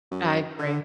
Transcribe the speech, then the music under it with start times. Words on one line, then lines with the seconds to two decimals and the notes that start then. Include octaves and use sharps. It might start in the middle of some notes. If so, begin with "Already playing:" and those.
I agree.
0.11 F#2
0.58 D3